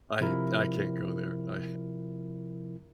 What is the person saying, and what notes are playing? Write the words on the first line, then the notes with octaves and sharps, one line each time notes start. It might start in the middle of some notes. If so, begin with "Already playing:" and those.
I I can't go there. I
C3 F3 E4 A#4